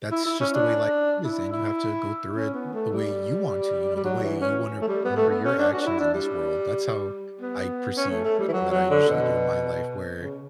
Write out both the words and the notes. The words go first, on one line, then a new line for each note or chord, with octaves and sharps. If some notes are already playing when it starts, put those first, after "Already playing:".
that's just the way life is, and you have to go through it the way you want to, you know, the way you wanna remember your actions in this world. That's how I perceive everything that I usually do in my life, where
E4
E4
C#4
D4
E4
E4
C#4
B3
A3
G3
G3
F#3
E3
C#4
A3
G3
B3
A3
B3
C#4
D4
F#4
D4
E4
D4
G3
B3
C#4
A3
A3
G3
E3
F#3
F#3
D3
B2
C#3